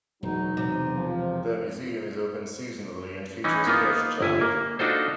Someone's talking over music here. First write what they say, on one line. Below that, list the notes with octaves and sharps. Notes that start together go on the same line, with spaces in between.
The museum is open seasonally and features a gift shop.
E1 E2 F#3 D#4
C3
F3
E3 C#4 D#4
A#3 B3 D#4 F4
G1 E4 G#5
A#3
D4 D#4 F4 F#4 A4 C5